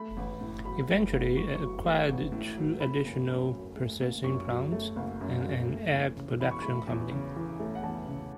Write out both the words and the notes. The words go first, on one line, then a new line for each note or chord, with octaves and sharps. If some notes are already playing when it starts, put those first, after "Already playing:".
Eventually, it acquired two additional processing plants and an egg production company.
Already playing: A3 B5
A1
A2
F#3 B5
A3
A1
A2 C#6
F#3 C#6
A3
A1
A2
F#3
A3 B5
F#1
F#2
F#3
A3
F#1
F#2 C#6
F#3
A3
F#1
F#2
F#3
A3
E2
C#3
E3 B5
C#6
A3 B5
E2
C#3
E3
A3
F#5
E2 A5
C#3